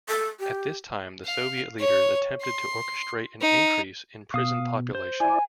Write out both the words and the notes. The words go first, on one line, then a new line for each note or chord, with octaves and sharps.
At this time the Soviet leaders attempted to orchestrate an increase in prison population.
A4
G4
F5
C#5
C6
D#4
B2 F5 D#6
C5
E4 D5 G#5